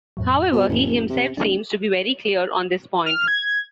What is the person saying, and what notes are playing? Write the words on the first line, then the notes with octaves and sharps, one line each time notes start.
However, he himself seems to be very clear on this point.
F2 A2 F#3
B2 C5
F#1 F2 A2 E3
C3
D1 D4
F6
G#6